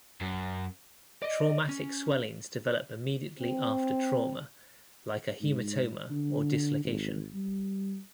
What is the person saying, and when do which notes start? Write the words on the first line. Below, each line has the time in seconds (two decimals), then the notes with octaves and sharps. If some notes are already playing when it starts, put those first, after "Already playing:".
Traumatic swellings develop immediately after trauma, like a hematoma or dislocation.
0.21 F#2
1.22 D5 D#5
1.69 C#4
3.40 C4
5.41 G#2
6.10 D3
6.85 G#1
7.34 G3